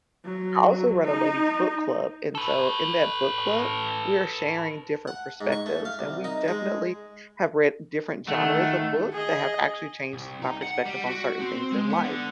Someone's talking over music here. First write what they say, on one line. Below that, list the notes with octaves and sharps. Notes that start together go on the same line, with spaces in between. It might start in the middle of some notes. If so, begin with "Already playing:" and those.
I also run a ladies' book club. And so in that book club, we are sharing different perspectives, and we definitely have read different genres of book that have actually changed my perspective on certain things in life.
F#3
D#4
A4 B4
F#5
G#2
C#6
A3
F5
C2
D#4
G#3
D#3 A3 F#5
G#4 D#5
C2
D#4
F#5
G3
F#4
C4
G#3
B3
D3